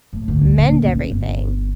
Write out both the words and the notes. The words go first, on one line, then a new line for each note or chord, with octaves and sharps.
mend everything,
A2
D2 G2
C#2 A#2
C#4
G1